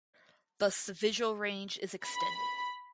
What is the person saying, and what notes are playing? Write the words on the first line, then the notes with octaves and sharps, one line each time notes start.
Thus the visual range is extended.
B5